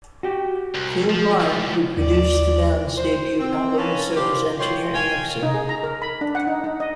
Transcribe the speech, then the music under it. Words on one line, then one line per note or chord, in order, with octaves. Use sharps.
Phil Bonnet, who produced the band's debut album, served as engineer and mixer.
F#4 G4
C2
F3
C#2
D#2 D5
C5
C4
A#3 C#4 B4 G#5 A5
F4 G4 B4 C5 D5 F5
B2 F4 C#5 G5 C6
C#5 F5 G5 G#5
D#4
G#4
A#5
A#4
B5
D4
F#5
D#4
D#4
D#5